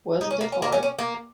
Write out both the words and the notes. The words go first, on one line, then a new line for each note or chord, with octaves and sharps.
Wasn't it hard?
D#4
C#4
A#3
C#4
A#3
C#4
C#4
A#3